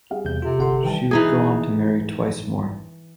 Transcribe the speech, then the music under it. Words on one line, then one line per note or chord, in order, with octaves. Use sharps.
She would go on to marry twice more.
G3 G#4 F5
E2 C3 G6
C3 F4 A4
G1 A4 F#5 C6
D#3 E3 G3 B4 G5 A5
E3 D#4 G#4